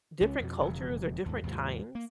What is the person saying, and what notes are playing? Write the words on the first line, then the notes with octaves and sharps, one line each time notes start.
different cultures, or different times
C#2 G3 C#4
F2 B2
E1 F2 C#3
D#2 G#2
D#2 G#2 C3 F3
A#3